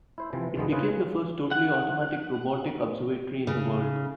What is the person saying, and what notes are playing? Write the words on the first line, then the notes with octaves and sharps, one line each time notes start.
It became the first totally automatic robotic observatory in the world.
E4 C5
C3 E3 F3 C4
D#2 B2 D#3 F3 G#3 B3
C#3 F4 G#4 B4
F#5
C#3